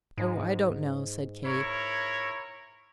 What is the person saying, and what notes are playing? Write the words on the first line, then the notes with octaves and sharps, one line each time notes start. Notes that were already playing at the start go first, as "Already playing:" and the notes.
"Oh, I don't know," said Kate.
G#2
E4 A#4 C#5